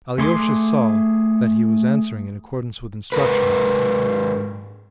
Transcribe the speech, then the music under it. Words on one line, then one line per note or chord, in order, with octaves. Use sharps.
Alyosha saw that he was answering in accordance with instructions.
A3 G#4 C6 D6
G#2 C3 A#4 B4